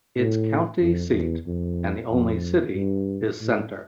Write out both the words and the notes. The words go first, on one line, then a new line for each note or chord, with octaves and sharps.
Its county seat and only city is Center.
A2
F2
E2
F2
F2
G2
A2